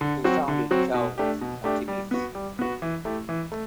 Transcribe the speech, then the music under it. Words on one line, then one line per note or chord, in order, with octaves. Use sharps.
He founded Kells, County Meath.
D3
F#3 C4 F#4
D3
F#3 C4 F#4
B2
A3 D4 G4
B2
A3 D4 G4
G3
B3 F#4
G3
B3 F#4
E3
A3 E4 G4
E3
A3